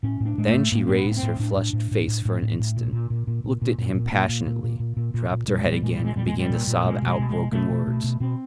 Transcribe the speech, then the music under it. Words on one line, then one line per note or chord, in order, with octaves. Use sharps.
Then she raised her flushed face for an instant, looked at him passionately, dropped her head again and began to sob out broken words.
A2 C#4
A2
D4
A2 G#3
A3
A2
A2 A#3
A2 C4
B3
A2
B3
C4
A2
A2 D4
A2
A2
A2
A2
A2
A2
A2
A#2
A#2
A#2
A#2
A#2
A#2
A#2
A#2
B3
A#2 A#3
A#2
A#2
A#2
A#2
A#2
A#2
A#2
A#2 G3
G#3
A#2
G3
A#2 G#3
G3
A#2
G#3
A#2 G3
G#3
A#2
G3
A#2
A#2
B2 G#3
B2
G#3
B2
G#3
B2
B2 A3
B2
B2
B2
B2 C4